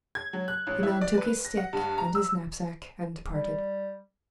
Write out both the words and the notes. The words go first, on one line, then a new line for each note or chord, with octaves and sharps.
The man took his stick and his knapsack and departed.
G#6
F#3
F#6
A1
E4
D5
B4
A#6
F#5
G2
A#5
E6
G3